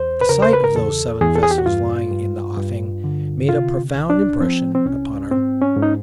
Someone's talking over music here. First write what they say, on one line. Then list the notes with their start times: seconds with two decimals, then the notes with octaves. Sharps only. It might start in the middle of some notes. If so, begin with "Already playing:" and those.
The sight of those seven vessels lying in the offing made a profound impression upon our minds.
Already playing: E2 C5
0.21 B4
0.29 C#3 A#4
0.42 C5
0.53 B4
0.64 A#4
0.75 E2 A4
1.21 E2 G#4
1.35 A4
1.43 G#4
1.51 G4
1.58 F#4
1.66 G2 F4
2.12 G2
2.57 G2
3.04 D3
3.49 C3 F4
3.95 C2
4.10 D4
4.40 F3 C4
4.75 C4
4.85 C2 C#4
5.31 G#2 C4
5.62 C#4
5.76 G#2
5.82 D#4